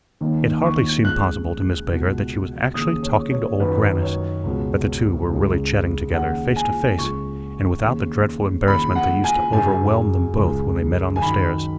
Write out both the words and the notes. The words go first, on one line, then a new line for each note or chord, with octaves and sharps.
It hardly seemed possible to Miss Baker that she was actually talking to Old Grannis, that the two were really chatting together, face to face, and without the dreadful embarrassment that used to overwhelm them both when they met on the stairs.
D#2 D#3
C#6
C#2 C#3 F#6
C#2 B2
D#2 C#3 D#6
C#5
C#5
F#2 D#3 B4
C#5
C#2 B2
C#2 C#3
D#2 C#3 F#5
G#5
C#2 C#3 C#6
D#2 C#3
D#2 C#3 B5
F#5
G#5
F#2 C#3 G#5
C#2 C#3
G#5
F#2 D#3 B5